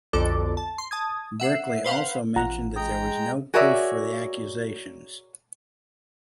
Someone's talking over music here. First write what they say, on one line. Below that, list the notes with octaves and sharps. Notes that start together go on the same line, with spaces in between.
Berkeley also mentioned that there was no proof for the accusations.
B1 F2 D3 A4 D6
A5
C6
A5 D#6 G#6
E5 F#5 C7
B4 C5 F5 F#5
A1 F4 F#5 A#5
G#3 G5 A#5 D#6
F#4 G#4 A#4 C#5 D5 E5